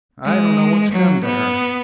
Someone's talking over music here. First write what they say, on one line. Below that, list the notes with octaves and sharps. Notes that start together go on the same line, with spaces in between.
"I don't know what's come to her."
G#3
F#3
B3